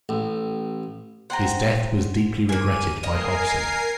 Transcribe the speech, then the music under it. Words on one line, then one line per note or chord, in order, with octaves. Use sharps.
His death was deeply regretted by Hobson.
A1
C5 F#5 G5 A#5
A#3 G#5 D#7
A#4 D#5 F5 G#5 C7